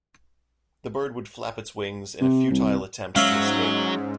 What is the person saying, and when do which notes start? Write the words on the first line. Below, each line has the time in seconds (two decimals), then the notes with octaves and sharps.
The bird would flap its wings in a futile attempt to escape.
2.21 C3
2.51 C2
3.16 G#2 F#3 G#3 C#4 C#5 E5 F5